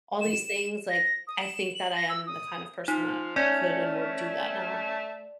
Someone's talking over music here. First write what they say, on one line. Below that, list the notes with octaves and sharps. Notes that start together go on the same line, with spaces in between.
all these things, like, I think that I am the kind of person that could and would do that now.
E7
A#6
D#6
E7
F#7
A#6
E6
D#6
F3 D#4
A3 C#4 D5